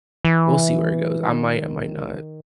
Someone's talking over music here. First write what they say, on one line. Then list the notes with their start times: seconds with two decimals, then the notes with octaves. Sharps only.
we'll see where it goes. I might, I might not
0.25 E3
1.31 D#3